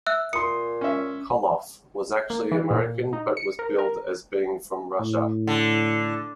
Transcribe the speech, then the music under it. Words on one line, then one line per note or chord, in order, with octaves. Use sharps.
Koloff was actually American but was billed as being from Russia.
E5 E6 F#6
A#2 C6 D#6 C#7
C#4 E5
A#3
E3
A#2
D#4
C#7
A#4
A#4
A2
D3